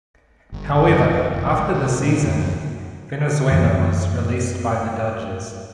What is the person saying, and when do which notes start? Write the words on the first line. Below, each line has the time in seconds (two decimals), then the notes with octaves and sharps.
However, after the season, Valenzuela was released by the Dodgers.
0.52 G1
0.74 G1
0.88 F#2
1.11 F2
1.32 F1
1.47 A#1
1.58 G#3
1.74 C3
2.03 A#2
2.23 F2
2.39 F#2
3.51 F#2 E3